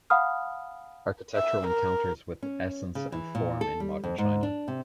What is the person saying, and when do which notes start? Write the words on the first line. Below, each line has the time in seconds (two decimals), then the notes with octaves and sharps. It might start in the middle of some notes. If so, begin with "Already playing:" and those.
"Architectural Encounters With Essence and Form in Modern China".
0.10 F5 F#5 G#5 B5 D#6 F6
1.35 E5
1.67 A#4
2.43 C#4
2.95 C#3
3.12 E3
3.35 A#2
3.61 A4
3.80 G3
4.03 F2
4.18 G#2
4.43 D4
4.68 C3